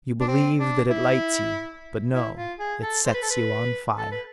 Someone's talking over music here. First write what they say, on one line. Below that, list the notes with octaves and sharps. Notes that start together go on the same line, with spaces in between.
You believe that it lights you; but no, it sets you on fire.
D4
C4
D4
E4
E4
F4
G#4
A4
C5
B4
A4
B4
A4
B4